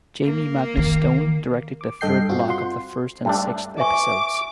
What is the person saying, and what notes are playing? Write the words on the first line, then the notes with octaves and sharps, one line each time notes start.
Jamie Magnus Stone directed the third block of the first and sixth episodes.
A#3
D#3
D6
G2 A4 D#5 G5 G6 C7
C4 F4 F#4
F#5 C6
G2 A3 D4
B4 E5 G#5 C#6 D6